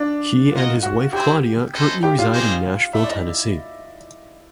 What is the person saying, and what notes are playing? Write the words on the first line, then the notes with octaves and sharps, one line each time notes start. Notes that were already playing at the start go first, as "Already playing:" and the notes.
He and his wife Claudia currently reside in Nashville, Tennessee.
Already playing: D4 D5
F4 F#4 A#4 D#5 F5 F#5
F#4 F#5
C4 E4 G4 G#4 C5 E5 G5
C#4 E4 A4 C5 D#5
G4 G5
F4 F5
G3 A#3 D#4 G#4 C5
A3 E4 E5
D5
D#5